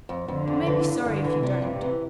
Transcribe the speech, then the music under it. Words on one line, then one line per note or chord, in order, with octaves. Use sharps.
"You may be sorry if you don't."
F2
F2 D3
F2
E3
G2
G2 D3
E3
C3 D4
G2
E3